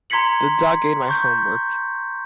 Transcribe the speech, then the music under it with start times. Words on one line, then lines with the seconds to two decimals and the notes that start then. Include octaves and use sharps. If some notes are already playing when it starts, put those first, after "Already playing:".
The dog ate my homework.
0.10 A#5 C6 G#6 B6 C#7 F#7
1.09 C#6 G6